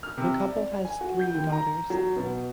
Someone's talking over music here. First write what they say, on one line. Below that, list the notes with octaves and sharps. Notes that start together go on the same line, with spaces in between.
The couple has three daughters.
F6
C3
D5
G#5
F#4
G6
D#2
A#5
F#3
B2